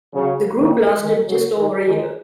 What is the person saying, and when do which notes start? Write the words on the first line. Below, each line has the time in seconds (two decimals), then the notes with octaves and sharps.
The group lasted just over a year.
0.13 C#3 F#3
0.56 A#2 D#3
0.99 D#3 G#3
1.27 C#3 F#3
1.56 D#3 G#3
1.85 D#3 G#3